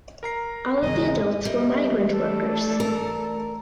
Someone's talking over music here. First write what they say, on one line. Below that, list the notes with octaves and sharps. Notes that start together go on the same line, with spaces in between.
All of the adults were migrant workers.
A#4 A#5 C7
G#1 E2 C#3 G#3 D#5
G3 A#4 D#5 E5
E3 A3
D4 A4 D5
A#4